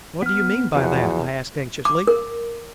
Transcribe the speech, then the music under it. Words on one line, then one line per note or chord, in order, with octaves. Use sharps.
"What do you mean by that?" I asked, anxiously.
B3 F6
E2 F3 B3 F#4
D6
A#4